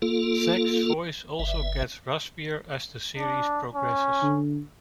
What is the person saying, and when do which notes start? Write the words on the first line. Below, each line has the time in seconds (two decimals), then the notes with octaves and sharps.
Zack's voice also gets raspier as the series progresses.
0.02 A#3 F4 A4
1.39 G1 E5
3.18 D4
3.76 C#4
4.22 D3